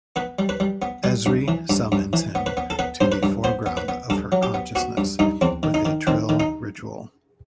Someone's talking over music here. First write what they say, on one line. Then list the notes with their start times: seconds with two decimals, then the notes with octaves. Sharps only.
Ezri summons him to the foreground of her consciousness with a Trill ritual.
0.16 B3 B4
0.39 G3
0.49 B4
0.60 G3
0.82 B3
1.04 G3
1.26 G2
1.48 E3
1.70 G2
1.92 G2
2.13 E3
2.35 B3
2.46 B4
2.57 B3
2.70 A4
2.79 B3 B4
3.01 G2 C5
3.12 B4
3.23 G2
3.44 B3 C5
3.66 B3
3.77 B4
3.88 B3
4.10 G2 A4
4.32 F#3
4.43 G4
4.54 B3
4.75 B3 F#4
4.97 G2
5.19 G2 D#4
5.41 E2 C4
5.63 D#3
5.74 D#4
5.85 D#3
6.07 D#3 C4
6.29 D#3
6.40 D#4